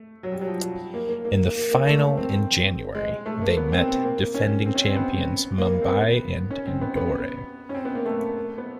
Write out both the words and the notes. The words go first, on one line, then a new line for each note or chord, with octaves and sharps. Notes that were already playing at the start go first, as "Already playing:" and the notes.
In the final in January, they met defending champions Mumbai in Indore.
Already playing: A3
F#3
G3
F#3
F3
F#3
A#3
A#3
A#3
A#3
A#3
A3
A#3
C4
G#3
G#3
A3
A#3
B3
C4
C4
A#3
C#4
C4
C#4
C4
B3
A#3
A#3
C4
B3
C#4
C4
B3
B3
C#4
C4
B3
A#3
A3
B3